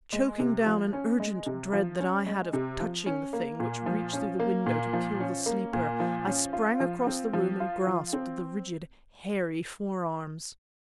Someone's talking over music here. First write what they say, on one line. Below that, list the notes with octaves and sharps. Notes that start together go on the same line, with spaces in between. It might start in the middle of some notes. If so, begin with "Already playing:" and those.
Choking down an urgent dread that I had of touching the thing which reached through the window to kill the sleeper, I sprang across the room and grasped the rigid, hairy forearms.
G#3
C3
F3
C#4
G#3
C3
F3
C#4
G#3
C3
F3
C#4
A#3
A#2
F3
C#4
A#3
A#2
F3
C#4
A#3
A#2
F3
C#4
F4
F3
C4
F3
F4
F3
C4